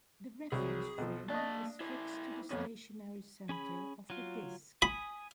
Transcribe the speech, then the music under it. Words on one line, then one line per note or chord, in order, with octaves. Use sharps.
The reference frame is fixed to the stationary center of the disk.
C2 F#3 G#4
B1 F3
A#3 D4 D#5 A5
E4 C5
F2 A#3 B3 C#4
C#4 G#4 B5
F#3 F4
G#5 B5 D#6